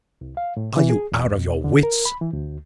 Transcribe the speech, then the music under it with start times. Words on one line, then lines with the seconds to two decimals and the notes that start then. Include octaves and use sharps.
Are you out of your wits?
0.21 C2
0.37 F5
0.57 A2
0.77 E3
0.90 G#4
1.12 E2
1.38 B2
1.64 D3
1.83 A#4
2.05 B5
2.21 E3
2.33 D2